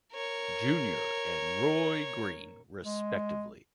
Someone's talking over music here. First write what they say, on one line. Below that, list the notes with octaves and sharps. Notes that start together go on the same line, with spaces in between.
Junior and Roy Green respectively.
A#4 C#5
G#3